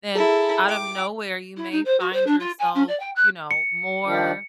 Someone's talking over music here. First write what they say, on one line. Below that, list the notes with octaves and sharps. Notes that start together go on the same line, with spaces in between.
then out of nowhere, you may find yourself, you know, more
E4 G#4 A4 A#5
G5 D6
E4
D#4
C5
F#4
C5
D4
F4
G#5
C#4
D5
G5
F#6
C#7
D#3 F3 D4